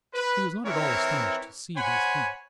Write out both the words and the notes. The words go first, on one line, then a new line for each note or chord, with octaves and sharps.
He was not at all astonished to see these things.
B4
E3 C4 E4 A#4 C#5
C5 C#5 F#5 G#5 B5